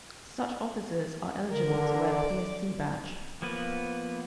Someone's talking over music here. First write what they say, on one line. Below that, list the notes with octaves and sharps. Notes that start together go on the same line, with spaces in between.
Such officers are eligible to wear 'psc' badge.
D3 A#4
D5
F3 A#3 B3 B4